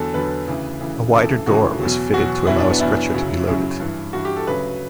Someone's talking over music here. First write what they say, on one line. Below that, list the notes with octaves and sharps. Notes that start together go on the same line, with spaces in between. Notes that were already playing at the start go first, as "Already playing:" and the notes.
A wider door was fitted to allow a stretcher to be loaded.
Already playing: E2 D3 F#3 A4
E2 D3 F#3 B4
D2 C#3 E3
D2 C#3 E3
D2 C#3 E3 A4
D2 C#3 E3 F#4
E2 B2 F#3
E2 B2 F#3 F#4
E2 B2 F#3 E4
D4
B3
E2 B2 F#3 E4
F#2 C#3 F#3
F#2 C#3 F#3 E4
G2 E3
G2 E3 F#4
G4
A4
D2 C#3 F#3 B4